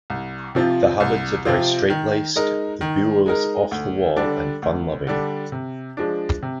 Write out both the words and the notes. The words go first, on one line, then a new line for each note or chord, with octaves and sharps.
The Hubbards are very straitlaced, the Buells off-the-wall and fun-loving.
C2
C3 F3 C4 F4
C2
C3 F3 C4 F4
D#3
G#3 D#4 A#4
D#3
G#3 D#4 A#4
D2
D3 G3 D4
D2
D3 G3 D4
C3
F3 G#3 D4
C3